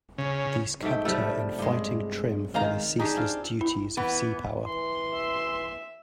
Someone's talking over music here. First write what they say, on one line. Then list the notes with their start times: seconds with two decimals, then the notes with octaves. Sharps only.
These kept her in fighting trim for the ceaseless duties of seapower.
0.18 C#3
0.83 G#2 A3 G5
1.05 C3 F3 G3 A3
1.59 G2 G#3
2.54 D#3 G#3 F5 A#5
3.00 D4 D#4 G4 G#4
3.16 C4 F4
3.61 E4
3.97 E3 B3
4.65 E3 C6
5.14 E5